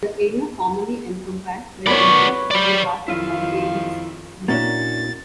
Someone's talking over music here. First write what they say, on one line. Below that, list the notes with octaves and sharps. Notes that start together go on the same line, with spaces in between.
The area formerly encompassed by the region is now part of Montagnes District.
B3 B4 C#5 D5
D5 B5
F2 D#3 F3 E4 F4 F5
A#2 A#3 C#4 D4 E4 F#4 A6